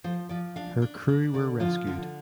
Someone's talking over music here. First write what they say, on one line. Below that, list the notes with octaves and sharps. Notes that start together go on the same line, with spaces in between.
Her crew were rescued.
F3 C5
F3 D5
D4 F5
D4
D4
D3 D5
F3 F4
D3